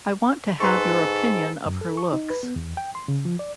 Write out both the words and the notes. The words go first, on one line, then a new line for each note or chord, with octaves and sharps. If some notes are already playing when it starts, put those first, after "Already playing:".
I want to have your opinion of her looks.
G#2 A4 B4 C6 C#6
F#2
A4
C#6
D#4
B4
B3
E2
G5
C6
C#3
F3
D5